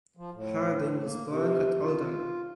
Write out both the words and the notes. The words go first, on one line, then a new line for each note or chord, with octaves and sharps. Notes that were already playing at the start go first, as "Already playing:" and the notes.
Harding was born at Oldham.
F3
A2
A#3
C3
F4